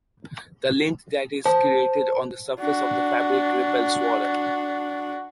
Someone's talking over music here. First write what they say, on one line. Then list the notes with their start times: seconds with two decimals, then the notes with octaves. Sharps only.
The lint that is created on the surface of the fabric repels water.
1.46 C5 A5
2.60 D4 F#4